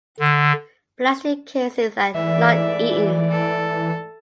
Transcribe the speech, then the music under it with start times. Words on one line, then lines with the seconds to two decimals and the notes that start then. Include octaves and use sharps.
Plastic casings are not eaten.
0.20 D3
2.15 G#2 E3 A3 D5 E5
3.31 A4